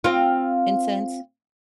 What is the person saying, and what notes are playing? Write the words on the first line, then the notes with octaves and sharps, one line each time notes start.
in sense?
C4 F4